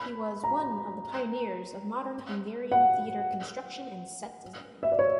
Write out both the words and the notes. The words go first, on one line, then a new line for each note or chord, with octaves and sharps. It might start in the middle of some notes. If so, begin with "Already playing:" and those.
He was one of the pioneers of modern Hungarian theater construction and set design.
Already playing: B5
A#5
F#5
E5
D5
C#5